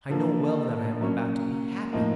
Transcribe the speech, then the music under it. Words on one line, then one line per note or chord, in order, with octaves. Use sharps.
I know well that I am about to be happy.
D3 F3 A#3
F#3 A#3 C#4
A2 F3 A#3 D#4